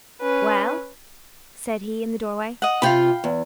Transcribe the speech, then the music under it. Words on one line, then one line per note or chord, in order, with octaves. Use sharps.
"Well?" said he in the doorway.
C#4 B4
D#5 F#5
C3 F4 F5 G5 B5
E2